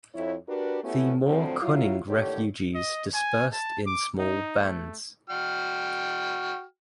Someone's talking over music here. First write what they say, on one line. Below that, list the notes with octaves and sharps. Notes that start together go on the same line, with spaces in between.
The more cunning refugees dispersed in small bands.
F2 E4 C#5
D4 F#4 G4 A#4 B4
A3 B3 C#4 E4 F#4 G4
A2 D3 F3 F#3 C4
F#3 E4 F4
D#2 A2 D3 G4 C#5
D#5
G#5
A5
D6
D#4
A3
F#4 G5 F6